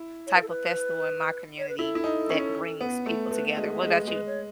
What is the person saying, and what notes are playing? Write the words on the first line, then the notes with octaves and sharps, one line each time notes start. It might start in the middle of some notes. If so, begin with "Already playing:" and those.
type of festival in my community that brings people together, what about you?
Already playing: E4
C#5
B4
A4
B4
C#5
B4
E4 A4
E4
D#4
C#4
B3
A3
A3 B4
A4
G#3
F#4
G#4
G#3
G#4
G#3 B4
C#5